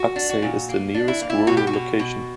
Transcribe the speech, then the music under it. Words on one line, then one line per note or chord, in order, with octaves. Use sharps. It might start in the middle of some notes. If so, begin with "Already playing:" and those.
Aksay is the nearest rural locality.
Already playing: F#4
D4
F#4
A#2
A#3
D4
E4
A#3
E4
B2 F#4
G4
F#4
B2
B2